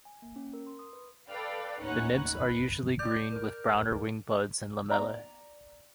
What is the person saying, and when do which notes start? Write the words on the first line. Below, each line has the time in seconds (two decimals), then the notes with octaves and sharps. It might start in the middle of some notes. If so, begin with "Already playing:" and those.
The nymphs are usually green with browner wing buds and lamellae.
0.05 G#5
0.22 A#3
0.36 C#4
0.53 A#4
0.67 C6
0.79 D#6
0.93 B4
1.29 A4 B4 D5 F5 G5
1.82 D#2 A2 C#4 D#4 B4 F#5
2.34 B4 B5
2.99 D5 G6
3.31 A#4
4.88 D5 A#5